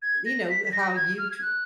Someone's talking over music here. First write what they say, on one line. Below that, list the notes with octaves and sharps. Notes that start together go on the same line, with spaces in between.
you know, how you tr
G#6
A#6
B6
B6
A#6
G#6
F6
G#6
F#6